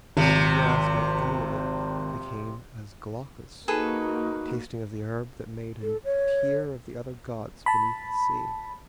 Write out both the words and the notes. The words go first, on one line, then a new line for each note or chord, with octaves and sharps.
Such at her aspect inwardly became As Glaucus, tasting of the herb that made him Peer of the other gods beneath the sea.
G#1 C3 F3
A#3 D#4 F#4 G#4 A4 B4
A4
C#5
A5 B5